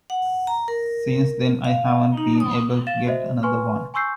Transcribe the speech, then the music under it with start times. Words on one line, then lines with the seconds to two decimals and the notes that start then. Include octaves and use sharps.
Since then I haven't been able to get another one.
0.10 F#5
0.47 A#5
0.68 A#4
1.64 F5
2.17 D#4
2.40 D#6
2.87 F5 A6 E7
3.07 F#4 C5 D#5 E5
3.43 B4 G#5 C6 C#6 F6
3.94 G#5 C6 C#6 E6 G6 C7